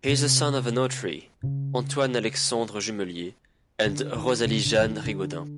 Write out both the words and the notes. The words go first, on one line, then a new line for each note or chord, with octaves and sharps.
He is the son of a notary, Antoine Alexandre Jullemier, and Rosalie Jeanne Rigaudin.
C3
C#3
D3
D#3
C#3
D3
E3
D#3
D3